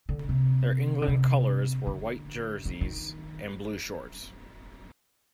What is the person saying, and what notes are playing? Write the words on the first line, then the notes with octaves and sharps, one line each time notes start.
Their England colours were white jerseys and blue shorts.
D3
C3
D3
C3
D3
D#3
D#3